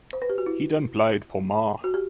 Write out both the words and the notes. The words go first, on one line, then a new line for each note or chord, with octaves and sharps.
He then played for Marr.
C5
B4
G4
F#4
E4
F#4
G4